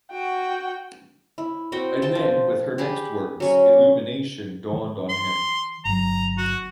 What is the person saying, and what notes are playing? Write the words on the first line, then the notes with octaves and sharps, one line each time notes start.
And then, with her next words, illumination dawned on him.
F#4 G5
E4
C4 F#4 G5
C5 G5 A5
F3
G4 G#4 B5
F#3 C#4
E3
C6
G1 F#3 A#5
F#4